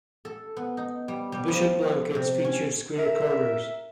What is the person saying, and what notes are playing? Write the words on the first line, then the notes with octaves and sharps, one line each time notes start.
The Bishop blankets featured square corners.
A4
B3
D#4
G3
G3
F3
C3
C#4
A#4 E5